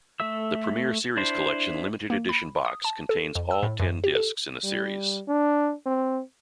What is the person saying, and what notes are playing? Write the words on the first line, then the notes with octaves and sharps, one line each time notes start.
The Premier Series Collection Limited Edition Box contains all ten discs in the series.
A3 A4 E5 E6
D4 E4 C5
A#3
B5
D#6
A5
A4
F2
E6
A2
F#2
G4
A4
G3
D4
C4